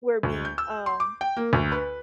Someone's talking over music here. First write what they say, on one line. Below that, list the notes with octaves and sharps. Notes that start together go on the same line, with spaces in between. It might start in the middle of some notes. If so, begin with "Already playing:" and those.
we're being, um,
D2
G6
E6
C6
D6
G5
A#3
D2
B4